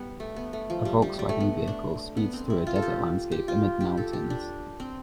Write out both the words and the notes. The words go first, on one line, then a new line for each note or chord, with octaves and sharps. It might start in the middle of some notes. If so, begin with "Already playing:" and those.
A Volkswagen vehicle speeds through a desert landscape amid mountains.
Already playing: G3 B3
A3
B3
A3
F3
G3
G3
G3
A3
B3
D4
B3
C4
E4
F4
A4
G4
G4
F4
G4
A4
G4
D4
C4